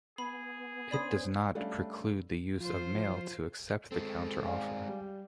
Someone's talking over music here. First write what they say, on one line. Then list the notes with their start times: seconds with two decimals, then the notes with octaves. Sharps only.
It does not preclude the use of mail to accept the counteroffer.
0.18 B3 G#4 B5
0.91 C#4 D4 C5 D5 B5 D#6
1.55 G3 A3 C#4 D4 F5
2.60 F3 F4 C5
3.92 G#3 C4 A4
4.45 D5 F5 G#5
4.86 G3